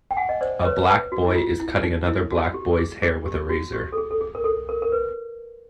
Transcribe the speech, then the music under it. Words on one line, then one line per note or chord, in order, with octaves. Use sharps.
A black boy is cutting another black boy 's hair with a razor.
G5
F#5 G#5
D#5
C5 D5
B4 C#5
B4
F#4
E4
F4
E4
D#4
E4
F#4
G4
G#4
G#4
G4
F#4
G4
A4
G#4
A4
G#4
A#4
A4
A#4
A#4
B4